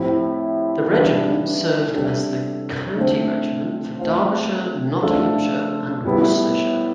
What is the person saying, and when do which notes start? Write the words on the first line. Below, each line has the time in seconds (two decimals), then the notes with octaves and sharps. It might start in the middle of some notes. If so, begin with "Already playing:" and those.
The regiment served as the county regiment for Derbyshire, Nottinghamshire and Worcestershire.
Already playing: A2 F3 C4 E4 G4
0.91 E3 G3 D4 F4 B4
1.94 C3 G3 D4 A4
2.96 D3 A3 C4
3.99 A3 C4 F4
5.02 F3 A3 D4 F4 A4
6.05 A2 G3 B3 E4